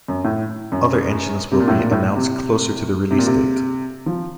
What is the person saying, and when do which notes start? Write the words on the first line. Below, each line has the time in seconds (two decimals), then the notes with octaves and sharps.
Other engines will be announced closer to the release date.
0.08 F#2
0.24 A2
0.72 F#2
1.52 C3
1.60 A#2
1.68 A2
1.79 A#2
1.91 A2
2.16 C3
3.11 C3
3.19 A#2
3.26 C3
4.06 F3